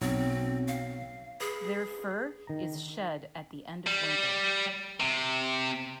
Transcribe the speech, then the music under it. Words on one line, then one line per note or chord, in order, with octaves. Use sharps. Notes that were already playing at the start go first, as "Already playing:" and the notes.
Their fur is shed at the end of winter.
B1 F#3 C4 C#5
F5
G#4 B4
D#3 A#5
G3
C3